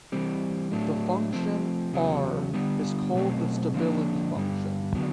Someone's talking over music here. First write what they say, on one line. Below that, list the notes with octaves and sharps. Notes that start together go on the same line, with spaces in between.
The function "r" is called the "stability function".
E3 G3 C4
A2 F#3 A3 D4
F3 A3 C4
E2 C#3 F#3 B3
D3 G3 B3
B2 F#3 A3 C4
D3 F3 A#3 D4
G2 D3 G3
D3 F#3 B3